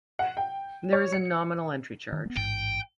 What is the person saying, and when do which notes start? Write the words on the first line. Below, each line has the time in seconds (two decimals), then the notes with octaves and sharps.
There is a nominal entry charge.
0.19 F#5
0.37 G5
0.93 C#5
1.12 C#7
2.12 D#3
2.25 G#3 B3
2.37 A1 G#2 G5